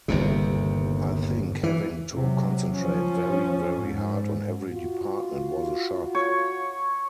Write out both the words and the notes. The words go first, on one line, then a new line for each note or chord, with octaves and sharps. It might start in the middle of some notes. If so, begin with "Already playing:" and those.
I think having to concentrate very, very hard on every department was a shock.
G1 D#2 C3
E3
C3 F#3
F3 C#4
G#2
F4 F#4
C#5